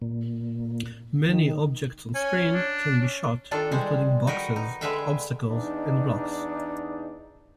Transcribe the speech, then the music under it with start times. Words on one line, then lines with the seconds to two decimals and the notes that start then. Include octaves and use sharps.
Many objects onscreen can be shot including boxes, obstacles and blocks.
0.02 A#2
1.28 D#3
2.15 C#4 G#5
2.53 D4
3.00 C#4
3.51 D#3 D4 F4 A4
3.72 G3 G#3 C5
4.27 D#4 F#4 A#4 B4 G5
4.56 D#4
4.81 D3 G#3 B4 E5 F5 G5
5.49 E2 D4 D#4